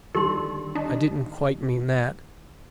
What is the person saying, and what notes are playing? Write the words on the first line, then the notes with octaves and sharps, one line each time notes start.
"I didn't quite mean that."
D3 D#3 G3 G4 A4 C6
D4 D#4